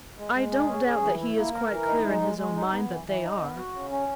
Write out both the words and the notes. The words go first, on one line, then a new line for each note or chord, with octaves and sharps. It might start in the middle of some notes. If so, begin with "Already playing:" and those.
I don't doubt that he is quite clear in his own mind that they are.
G#3
G#3
G#4
C#4
G#4
E3
E4
A#3
A#4
E3
D#4
G#3
G#3
G#3
D#4
B3
E3
E3
D#4
B3
F#4
C#3
C#4